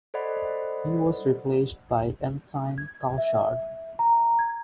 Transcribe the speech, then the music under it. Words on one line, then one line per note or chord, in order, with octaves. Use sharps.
He was replaced by Ensign Cauchard.
A4 C5 D5 D#5 F#5 B5
G#6
E5
A#5
G#6